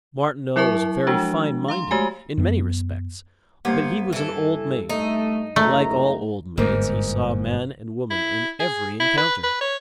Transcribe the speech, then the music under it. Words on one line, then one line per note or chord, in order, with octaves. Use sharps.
Martineau was very fine-minded in many respects, but he was an old maid; and like all old maids he saw man and woman in every encounter.
F#3 E4 A#4 E5 A5 C#6
F3 G#3 D4 F#4
F5 A#5 C6
G#3 A3 F#4 G4 G#5
F#2 B3
G2 A#3 B3 C5
E3 A4
A3 D#4
F#1 A2 A3 A#5
G1 E2 G#2 A#3
E4
G#4
E4
B4
B4
C#5